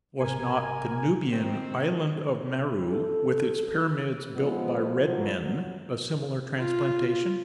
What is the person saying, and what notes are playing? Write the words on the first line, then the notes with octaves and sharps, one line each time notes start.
Was not the Nubian "Island of Merou," with its pyramids built by "red men," a similar transplantation?
G#1 C3 A#4 G#5
D#3 C4
A4
F3 G#3 B3
A#2 E3 F#3
F#3
F4